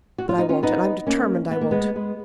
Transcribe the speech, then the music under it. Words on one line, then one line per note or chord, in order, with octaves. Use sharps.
But I won't . . . and I'm determined I won't.
F#4
F4
D#4
C#4 F4
B3 D#4
A#3 C#4
B3
A#3
G#3 B3
G#3 B3